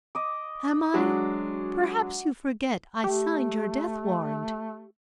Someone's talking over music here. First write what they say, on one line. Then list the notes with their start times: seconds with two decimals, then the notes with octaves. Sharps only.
"Am I? Perhaps you forget I signed your death-warrant."
0.15 D#5 D6
0.94 F#3 G#3 D4 F#4
3.04 A3 G4